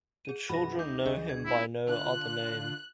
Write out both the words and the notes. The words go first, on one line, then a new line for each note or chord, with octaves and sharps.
The children know him by no other name.
G#4 D#7
F#2 B2 E3 F#4 B5 A#6
D2 D#4 D6 G6
D2 C#3 G3 D4 G#4 D#5
G#6
B3 E4
D3 D4 F4 F#6